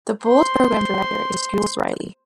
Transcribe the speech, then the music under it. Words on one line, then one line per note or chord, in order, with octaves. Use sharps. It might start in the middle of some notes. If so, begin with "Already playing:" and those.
The Bull's program director is Jules Riley.
C5 C6